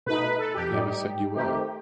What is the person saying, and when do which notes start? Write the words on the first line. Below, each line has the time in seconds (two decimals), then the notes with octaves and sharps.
I never said you were.
0.06 B2 A3 D#4 B4
0.38 A4
0.54 G4
0.71 A2 G3 D#4
1.35 D#3 A3 C4 D#4 G4